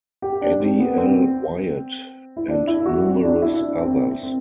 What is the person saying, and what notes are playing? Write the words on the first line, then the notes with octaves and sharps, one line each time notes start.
Addie L. Wyatt, and numerous others.
G4
D4
C4
B3
C4
E4
D4
E4
F#4
C4
D4
E4
D4
C4
C4